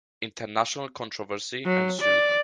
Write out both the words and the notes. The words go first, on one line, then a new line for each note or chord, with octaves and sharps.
International controversy ensued.
F#3
D5